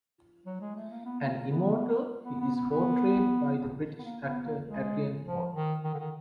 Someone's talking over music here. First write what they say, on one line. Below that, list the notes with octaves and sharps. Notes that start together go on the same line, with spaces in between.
An Immortal, he is portrayed by the British actor Adrian Paul.
F#3
G#3
A3
A#3
B3
A#3
A#3
B3
B3
B3
B3
B3
B3
A#3
B3
A#3
G#3
F3
D#3
D#3
D3
D#3